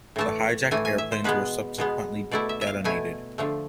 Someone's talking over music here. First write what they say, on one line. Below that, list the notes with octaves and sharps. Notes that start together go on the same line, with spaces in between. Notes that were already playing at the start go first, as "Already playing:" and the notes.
The hijacked airplanes were subsequently detonated.
A2 E3 A3 A5
A2 E3 A3 G#5
G#5
E5
C5
B2 G#3 B3 B4
B2 G#3 B3
B2 A3 E4 D5
E5
E5
F5
B2 A3 E4 G#5
D3 F3 A3